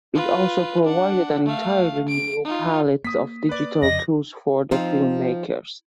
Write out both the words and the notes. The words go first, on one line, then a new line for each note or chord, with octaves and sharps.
It also provided an entirely new palette of digital tools for the film-makers.
F4 B4
D4 F#5
A3 F5
D7
D#4 F4
A#3 D#6 B6
B4 D5
F2 C#3 D#5 A#6
F3 C4 D#4 F4